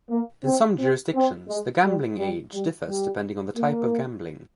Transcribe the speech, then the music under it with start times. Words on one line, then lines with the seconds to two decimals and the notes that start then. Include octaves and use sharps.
In some jurisdictions, the gambling age differs depending on the type of gambling.
0.09 A#3
0.44 C4
0.79 C4
1.14 C4
1.48 G#3
1.84 G3
2.18 G3
2.53 G3
2.88 G3
3.57 A#3